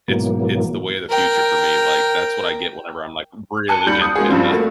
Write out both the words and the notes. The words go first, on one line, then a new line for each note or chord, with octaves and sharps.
it's it's the way of the future for me, like, that's what I get whenever I'm like, really in, in the,
G#2 B2 E3 F#3 A#3
A#4 G5
G#5 A5 F#6 C#7
D#2 G3 B5 G6 C#7 F#7
D#6
G#3 A#3 F#4 G#4
G2 F3 G3 C4
A3 A#3 F#4